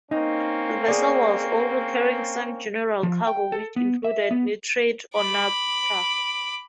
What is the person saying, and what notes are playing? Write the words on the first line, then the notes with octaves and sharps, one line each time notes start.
The vessel was also carrying some general cargo which included nitrate or naphtha.
A#3 C4 C#4 D#4
G#4 D5
F3
G5
A4
B3
E5
B3
B5 D6